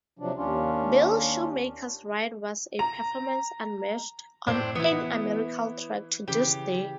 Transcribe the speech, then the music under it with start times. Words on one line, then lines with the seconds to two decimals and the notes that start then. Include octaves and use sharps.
Bill Shoemaker's ride was a performance unmatched on any American track to this day.
0.19 C3 F3 F#3 D4
0.36 D#2 C#4 D4 F4
2.79 A#5
4.47 A2 C4 D4 C5
4.75 E3 B3 E4
6.28 C#3 E3 G4